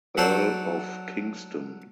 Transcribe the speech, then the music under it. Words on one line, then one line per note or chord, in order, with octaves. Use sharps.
Earl of Kingston.
F#3 F#4 A4 C5 D5